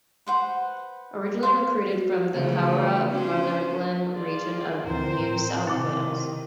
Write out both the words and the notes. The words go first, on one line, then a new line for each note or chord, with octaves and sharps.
Originally recruited from the Corowa-Rutherglen region of New South Wales.
B4 C5 F#5
C5 F5
F#4
C#3 E3 A3
C#4 D4 C5
F4 G#4 D5
D2 C4 A#4 C5
A2
C3 D#3 E4 D6